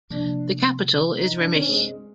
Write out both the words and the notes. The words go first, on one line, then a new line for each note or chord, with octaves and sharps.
The capital is Remich.
C3 F3 A#3 D4
D#4
D4
C#4
G#3